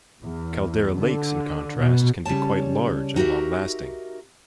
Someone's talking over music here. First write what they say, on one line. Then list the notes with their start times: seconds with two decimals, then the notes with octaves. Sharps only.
Caldera lakes in contrast can be quite large and long-lasting.
0.24 E2
0.95 D3
1.80 B2
2.25 C#3 G3 C#5 A5
3.16 D#4 F#4 G4 A#4 E5